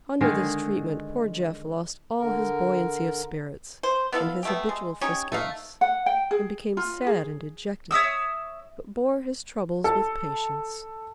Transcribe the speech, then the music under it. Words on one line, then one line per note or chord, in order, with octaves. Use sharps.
Under this treatment poor "Jeff" lost all his buoyancy of spirits and his habitual friskiness, and became sad and dejected, but bore his troubles with patience.
D3 D#3 G#3 G#4
D3 A#4
C5
B3 E4 A4 F5
B2 A3 G4
G#3
C#4 D#4 G4 C#5
A3 D#4 F5
F#5
G5
G#4
F4
G#4
C#5 E5 D#6 E6
A4